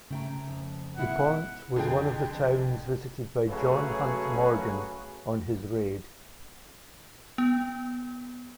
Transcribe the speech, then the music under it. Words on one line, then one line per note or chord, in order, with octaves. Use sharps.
Dupont was one of the towns visited by John Hunt Morgan on his raid.
C#3 A3 G5 A#5
F2
B2 G#3 E4 F#5
F2 D3 G#4 G5
C#3 F#3 A3 F#4 G#4 B4
B3